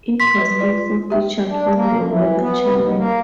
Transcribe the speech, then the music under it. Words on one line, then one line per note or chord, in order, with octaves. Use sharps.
It was also featured on the Weather Channel.
C6 B6
G3 B4
F4 B4 D5
G4 E5 G5
D4
A#3
E3
B3
B3
D#2
A#3